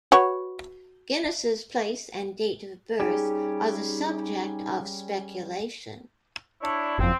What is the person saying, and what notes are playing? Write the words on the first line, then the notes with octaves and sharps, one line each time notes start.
Guinness's place and date of birth are the subject of speculation.
F#4 B4 C#5
G3 C#4 D#4 G4 G#4
D4 E4 C#5
F#1 F2 C4